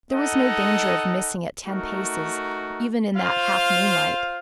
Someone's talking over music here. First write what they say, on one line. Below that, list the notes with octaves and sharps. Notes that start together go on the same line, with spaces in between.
There was no danger of missing at ten paces, even in that half moonlight.
D#4 A4 D#5 F#5
A3 D#4 F#4 A#4
F4 C5 F5